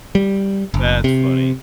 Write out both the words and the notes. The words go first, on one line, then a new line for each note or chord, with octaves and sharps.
That's funny.
G3
F#1
C3